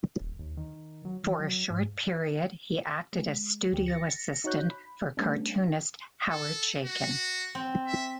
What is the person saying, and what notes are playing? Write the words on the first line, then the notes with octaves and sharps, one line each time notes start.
For a short period he acted as studio assistant for cartoonist Howard Chaykin.
D#1
D#2
D#3
F#3
E3
F#3
G#2
G#3
D2 G4
A6 A#6 C#7
D#4 F#4 C#5 F#6 G6
B5
G3 A3 B3 C#4 D4
A4
F#4
C4
E5